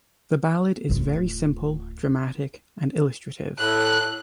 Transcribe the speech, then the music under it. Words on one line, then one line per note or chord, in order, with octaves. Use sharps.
The ballad is very simple, dramatic and illustrative.
D1 F4
A2 F#6